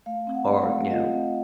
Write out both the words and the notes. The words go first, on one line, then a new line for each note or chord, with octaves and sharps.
or, you know
A3 F5
C4
F#5
A3
F5
A3
F4 D#5
C4